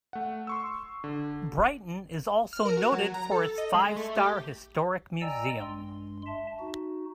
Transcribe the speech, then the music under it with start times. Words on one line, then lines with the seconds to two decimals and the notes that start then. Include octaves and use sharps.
Brighton is also noted for its five star historic museum.
0.13 A3 F#5
0.47 C6 C#6 E6
1.04 D3
2.53 F6
2.65 A#4
2.77 F#4
2.92 F#3
3.14 A#5
3.31 A4
3.58 D#5
3.74 G#3
3.96 A3
4.16 G4
5.21 D5 D#5 G5 G#5 A#5 E6
5.60 G2 G#3 C6
6.26 E5 A5
6.60 D#4 F#4